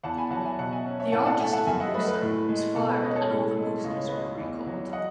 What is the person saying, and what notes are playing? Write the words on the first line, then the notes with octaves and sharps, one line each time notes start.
The artist of the poster was fired and all the posters were recalled.
E2 F#5 A5
G#5 B5
F#3 F#5 A5
E5 G#5
B2 F#5 A5
E5 G#5
C#4
C#5 E5
A2 F#5 A5
F#5 A5
A3 E5 G#5
F#5 A5
F#2 E5 G#5
D#5 F#5
A3 B4 D#5
B4
A2
G#3
B2 A4
B4
C#4 B4 D#5
A4 C#5
A2
G#3
C#2 D#5
C#5
G#3 B4 D#5
E2
F#3
D#5 F#5